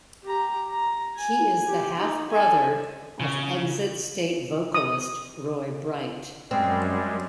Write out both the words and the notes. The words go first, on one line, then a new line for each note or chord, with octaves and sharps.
He is the half-brother of Exit State vocalist Roy Bright.
G4 A#5
A#5
G#5
G4
D#4
A4 G#5
C#3
D#6
F#2 G3 G#3 C4